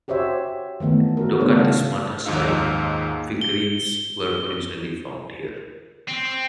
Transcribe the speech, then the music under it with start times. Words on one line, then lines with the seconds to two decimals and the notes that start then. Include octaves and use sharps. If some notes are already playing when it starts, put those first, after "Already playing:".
'Dokathismata style' figurines were originally found here.
0.08 F#4 G4 C5 C#5 E5
0.80 D#3 E3 A3 B3
1.17 F#4 A#4
1.40 C#3 G3 A3 B3 D4 C#5
1.56 A4 F5
2.25 D#2 G#2 F3 D#4 F5 E6
3.41 G7
6.08 C4